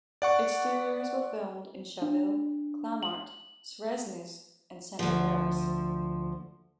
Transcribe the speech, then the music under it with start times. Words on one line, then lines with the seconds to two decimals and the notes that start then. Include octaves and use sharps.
Exteriors were filmed in Chaville, Clamart, Suresnes, and central Paris.
0.22 D5 F#5 C#6
2.02 D4
3.03 F#7
4.99 D2 F3